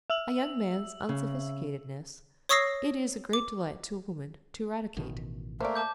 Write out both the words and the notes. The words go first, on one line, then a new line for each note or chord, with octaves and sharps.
A young man's unsophisticatedeness it is a great delight to a woman to eradicate.
E5 E6 F#7
C#3
C#5 C#6 D#6 E6 A#6 C7
D6
A1 B2 D#3
A3 A#3 C5 D5
A5 D6 G6